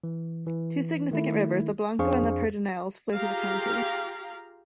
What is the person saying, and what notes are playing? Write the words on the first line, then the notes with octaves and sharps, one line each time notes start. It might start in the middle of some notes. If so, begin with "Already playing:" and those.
Two significant rivers, the Blanco and the Pedernales, flow through the county.
E3
E3
D#3 A3 E4
F2 D4 G#4 C5 F5 C#6
F4 G4 G#4 F5 A#5